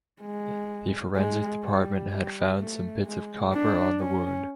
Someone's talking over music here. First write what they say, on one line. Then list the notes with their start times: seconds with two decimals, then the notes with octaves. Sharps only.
The forensic department had found some bits of copper on the wound.
0.22 G#3
1.16 G#3
1.64 G3
2.11 G3
2.59 A3
3.05 G#3
3.53 D4
4.01 C#4